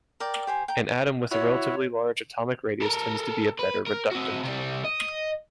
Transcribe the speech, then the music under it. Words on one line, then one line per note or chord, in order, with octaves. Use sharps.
An atom with a relatively large atomic radius tends to be a better reductant.
A#4 D5 G5
G4 C5 G#5
G5 A#5
E4 F#4 C#5
A4 A#4
B4
A#4
C4 F#4
C3 G3
D#5